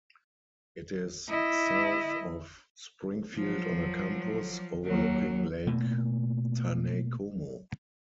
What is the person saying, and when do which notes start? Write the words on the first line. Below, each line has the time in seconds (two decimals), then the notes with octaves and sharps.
It is south of Springfield on a campus, overlooking Lake Taneycomo.
1.28 E4 D#5
3.35 F3 F#3
4.85 D#2 F#3
5.67 B2 A3 A#3